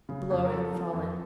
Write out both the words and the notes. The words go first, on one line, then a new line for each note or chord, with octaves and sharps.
The blow had fallen.
C#3
F2
A#4
F3 A4
F3
F2